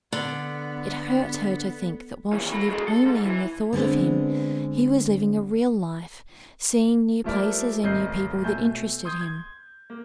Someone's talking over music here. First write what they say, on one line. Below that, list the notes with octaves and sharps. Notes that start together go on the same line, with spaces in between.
It hurt her to think that while she lived only in the thought of him, he was living a real life, seeing new places and new people that interested him.
D3 B3
D#2 E3
A4 B5
E2 G#3
A4
G#2
E3
D3 G#3 B3 C4
F3 G3 A3 E4 A#4 D5
G#1 E2 A3 D#5 G6 C7
B2 A3 G#5 A5 G6
C6 D#6 G6 G#6
G#6
A#3